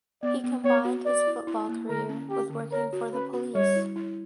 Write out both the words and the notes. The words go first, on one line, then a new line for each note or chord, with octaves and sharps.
He combined his football career with working for the police.
B3 D5
B3
B3 C#5
F#4
B4 D5
E4
E4
A#3
D3 A#4
C#4
C#4 G4
D3
A#4 C#5
F#4
C#4 B4
F#4
G3 C#5
E4
E4